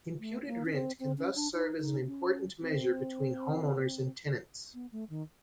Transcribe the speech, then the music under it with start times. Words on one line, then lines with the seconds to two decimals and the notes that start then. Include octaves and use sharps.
Imputed rent can thus serve as an important measure between home owners and tenants.
0.20 A3
0.47 A#3
0.66 C#4
0.73 C4
1.00 C4
1.18 C#4
1.36 D4
1.54 D#4
1.80 D#4
2.07 C#4
2.61 C4
4.74 B3
4.92 A3
5.10 D#3